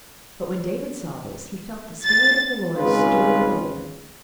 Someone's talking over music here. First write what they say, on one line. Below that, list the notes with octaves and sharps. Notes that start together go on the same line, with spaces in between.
But when David saw this, he felt the spirit of the Lord stir within him.
A6
G#1 C#2 C#4 F4 G#4 B4